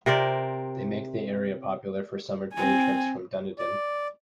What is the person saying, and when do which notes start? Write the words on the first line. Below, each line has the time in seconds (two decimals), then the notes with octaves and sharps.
They make the area popular for summer day trips from Dunedin.
0.06 C3 A#4 C5 D5
2.54 C4 G#5
3.58 D5